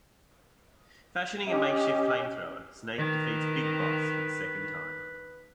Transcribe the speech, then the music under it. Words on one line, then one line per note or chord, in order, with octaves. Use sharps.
Fashioning a makeshift flamethrower, Snake defeats Big Boss for the second time.
C#4 G4 D#5
D#3 B4